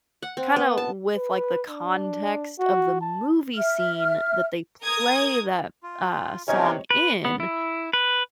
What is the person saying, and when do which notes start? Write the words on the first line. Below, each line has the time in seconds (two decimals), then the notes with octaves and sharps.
kinda with, like, the context of the movie scene that they play that, uh, song in,
0.22 F#5
0.37 C4
0.56 B3
0.78 A5
1.16 B4
1.69 D4
2.59 F#4
3.01 A5
3.55 E5 F6
4.84 A#4 D#6 G#6
5.83 F4
6.48 E2 C3 C#4 D#4 A#4 C#5 D#5 G#6
6.91 B4
7.25 B3
7.40 E4
7.93 B4